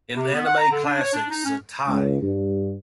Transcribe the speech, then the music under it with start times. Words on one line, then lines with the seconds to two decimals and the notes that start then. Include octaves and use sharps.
In Anime Classics Zettai!
0.16 C3
0.33 B3
0.45 F#5
0.58 A#5
0.71 D3
0.84 D4
1.01 C#5
1.13 D4
1.30 D#4
1.44 C#4
1.88 C#2
2.22 G2